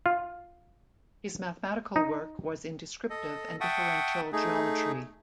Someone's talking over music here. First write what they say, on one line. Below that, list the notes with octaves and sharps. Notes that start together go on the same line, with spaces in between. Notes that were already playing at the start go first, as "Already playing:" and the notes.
His mathematical work was in descriptive and differential geometry.
F4
D#4
A4 D#5
E5 F#5 G5 A5 C#6 D#6
A3 D#4 G#4